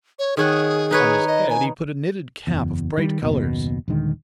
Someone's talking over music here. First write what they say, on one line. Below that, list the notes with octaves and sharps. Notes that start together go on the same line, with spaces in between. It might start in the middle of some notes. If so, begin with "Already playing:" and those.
On his head he put a knitted cap of bright colors.
C#5
D#3 G#4 C#5 F#5
D#4 B4 C#5
D#5
G#5
F#1 E2
D#3 G3
F#1 D#2 B2
D#1 D3 D#3 G#3